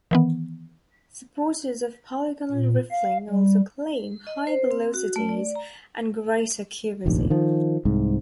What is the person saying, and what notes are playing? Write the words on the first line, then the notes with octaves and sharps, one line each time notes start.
Supporters of polygonal rifling also claim higher velocities and greater accuracy.
D#3 E3 B3
A#2
F5
G3
D#5
C5
C4
F#4
A3
D5
A#5
F1 A#1 D#2
D#3 F3
C2 G#2